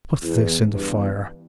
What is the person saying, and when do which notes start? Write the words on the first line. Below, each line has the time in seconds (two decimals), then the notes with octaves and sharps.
"Put this in the fire."
0.22 E2
0.73 E2 G2